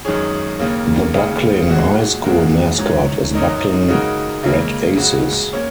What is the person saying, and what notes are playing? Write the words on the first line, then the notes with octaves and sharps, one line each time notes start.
The Bucklin High School mascot is Bucklin Red Aces.
F#2 D#3 G#3 C#4 G#4
D#2 C#3 A#3
D#2 C#3 G#3
A#2 G#3 F#4
A#2 G#3 F#4 A#4
G#2 F#3 C#4
F#2 F#3 D#4 A#4
C#3 G#3 D#4 F#4 A#4
C#2 C#3 A#3
C#3 G#3 F#4
A#3 C#4